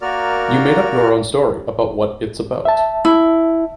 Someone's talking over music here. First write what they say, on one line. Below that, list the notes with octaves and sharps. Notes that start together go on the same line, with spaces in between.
You made up your own story about what it’s about.
A#3 F#4 A#4 D5 F6
E5 A5
E4